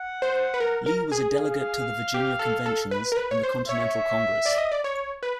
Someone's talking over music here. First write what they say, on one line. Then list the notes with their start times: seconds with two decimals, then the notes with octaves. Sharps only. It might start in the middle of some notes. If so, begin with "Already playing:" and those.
Lee was a delegate to the Virginia Conventions and the Continental Congress.
Already playing: F#5
0.22 C5
0.54 B4
0.60 A#4
0.86 A#4
1.12 G#4
1.37 F5
2.14 G4
2.39 A4
2.66 A4
2.91 B4
3.12 A#4
3.17 B4
3.31 C#5
3.43 C5
3.68 C#5 E5
4.45 D5
4.58 D#5
4.72 D5
4.84 C#5
5.23 B4